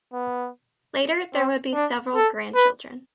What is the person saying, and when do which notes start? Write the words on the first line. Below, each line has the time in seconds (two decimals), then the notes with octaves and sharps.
Later there would be several grandchildren.
0.13 B3
1.34 C4
1.74 D4
2.15 A4
2.55 B4